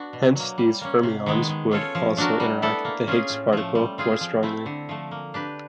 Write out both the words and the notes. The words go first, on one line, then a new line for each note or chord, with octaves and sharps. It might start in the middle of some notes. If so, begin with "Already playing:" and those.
Hence, these fermions would also interact with the Higgs particle more strongly.
Already playing: B3 D4 F#4
B2
F#3 A#3
G3
A#3 C#4
C3
D#3 G#3 B3
G#3
C#4 F4 A4 C#5
F3
A3 D4 F#4 A#4
G3
B3 E4 A4 D5
A#3
C#4 F4 G#4
A2
F3 A3
G3
C4 F4 G#4
F3
A3 C4 E4
D3
F3 A3
A#3
D4 G4 B4